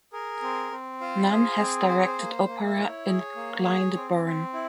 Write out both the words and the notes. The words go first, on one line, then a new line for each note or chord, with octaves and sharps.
Nunn has directed opera at Glyndebourne.
G#4 A#4
C4
C4
F4 C5
G#4
C4
G#4 C5
C#5
C5
A#3
A#3
E5
E4 C#5
G#4
A#3
G#4
C4
C4
E4